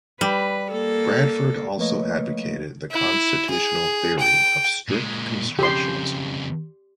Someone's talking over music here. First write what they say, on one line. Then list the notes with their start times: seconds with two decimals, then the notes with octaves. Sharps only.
Bradford also advocated the constitutional theory of strict constructionism.
0.21 G3 B4
0.72 A#3 A4
1.78 F3 A3 A#3 B4 C#5 D#5
2.92 E4
3.50 G#4
4.19 G5
4.89 A#2 G#3
5.59 F2 C#3 G4 C6